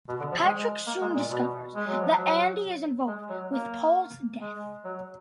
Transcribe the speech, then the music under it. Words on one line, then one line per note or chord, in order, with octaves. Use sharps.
Patrick soon discovers that Andy is involved with Paul's death.
B2
D3
F3
G#3
A#3
G#3
A#2
B2
G#3
F#3
F3
F#3
G#3
F#3
A#3
G#3
F#3